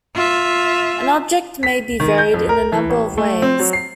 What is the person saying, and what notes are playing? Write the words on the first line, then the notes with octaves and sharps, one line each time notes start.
An object may be varied in a number of ways.
F4 E5
B6
D#3
G6
F2
A#4
E3
A1
A3
C4
F#3
C7